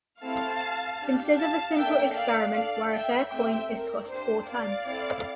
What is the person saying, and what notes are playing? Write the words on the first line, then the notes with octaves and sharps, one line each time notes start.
Consider the simple experiment where a fair coin is tossed four times.
A3 C4 E4 G4 F5 A5
D4 G4
F5 A5
A#3 D4 A4 E5 G5
D5 F5
D4 A4 D5 F5
E5 G5
A3 C4 G4 E5 G5
A#4
A#3 D4 G4 C5
D5 F5
C4 E4 A4